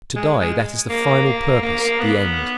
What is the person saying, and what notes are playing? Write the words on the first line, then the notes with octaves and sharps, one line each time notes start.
To die, that is the final purpose, the end.
G#3
G#3
A#3
A#3
A#3
A#3
B3